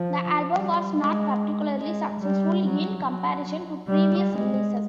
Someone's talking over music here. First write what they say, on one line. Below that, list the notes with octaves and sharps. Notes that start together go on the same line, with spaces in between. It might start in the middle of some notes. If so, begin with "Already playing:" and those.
The album was not particularly successful in comparison to previous releases.
Already playing: F3
G3
G#3
G#3
G3
F#3
F#3
G3
G#3